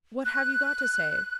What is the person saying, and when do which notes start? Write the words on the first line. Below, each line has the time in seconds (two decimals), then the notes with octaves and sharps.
What have you got to say?
0.24 F#6